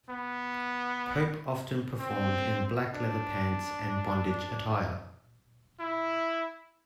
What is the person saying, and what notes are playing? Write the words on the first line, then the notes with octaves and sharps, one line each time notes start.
Pope often performed in black leather pants and bondage attire.
B3
C4
D4
E4